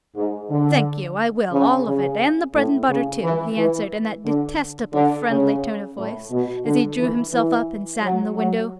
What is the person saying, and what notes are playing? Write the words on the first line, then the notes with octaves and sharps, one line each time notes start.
"Thank you, I will, all of it, and the bread and butter, too," he answered, in that detestable friendly tone of voice, as he drew himself up and sat in the window.
G#2
D3
C#3
C#3
A2
C#3
E3
E3
D3
D3
C#3
A2
B2
D3
E3
E3
F#3
F#3